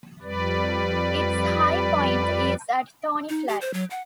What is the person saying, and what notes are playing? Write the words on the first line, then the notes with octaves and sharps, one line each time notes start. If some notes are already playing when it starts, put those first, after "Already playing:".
Its high point is at Thorny Flat.
F2 G3 B4 D5
D#4
G4
C5
F#3
F#5